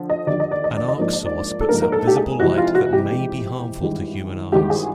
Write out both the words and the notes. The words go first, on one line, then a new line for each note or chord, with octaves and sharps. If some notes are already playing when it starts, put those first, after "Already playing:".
An arc source puts out visible light that may be harmful to human eyes.
Already playing: D3 F3
D#5
D#2 D3 F3 D5
D#5
D5
D#5
D5
D#5
G#2 F3 A#3 D4 D5
D#5
D5
A4
G#2 F3 A#3 D4 A#4
A#4
A4
G4
G#4
F2 C3 E3 G#3 F#4
F4
F#4
G4
F2 C3 E3 G#3
G#1 G2 E3 G#3
G#1 G2 E3 G#3 G4
G#4